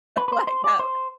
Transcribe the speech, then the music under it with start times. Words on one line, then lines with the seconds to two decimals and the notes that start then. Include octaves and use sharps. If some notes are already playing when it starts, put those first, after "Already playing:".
like, have
0.17 B4
0.28 B4
0.32 C5
0.47 C5
0.64 D5
0.79 C5